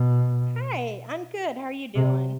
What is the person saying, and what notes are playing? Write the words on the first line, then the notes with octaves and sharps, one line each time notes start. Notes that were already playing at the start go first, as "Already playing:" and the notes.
Hi. I'm good. How are you doing?
Already playing: B2
C3